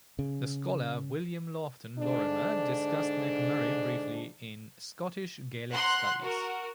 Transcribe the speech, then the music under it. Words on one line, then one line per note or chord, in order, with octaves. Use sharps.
The scholar William Laughton Lorimer discussed McMurray briefly in "Scottish Gaelic studies".
C#3
G#2 D3 D4
F#5 A#5 C6 F#6
F#4 A#4